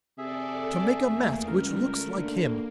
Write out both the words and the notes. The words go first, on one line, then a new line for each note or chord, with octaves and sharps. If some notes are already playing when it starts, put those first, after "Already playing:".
To make a mask which looks like him!
C3 G#4 A4 D5 E5
E2 A3 A#3
C#2 G3 A#4
A3
D3 A#3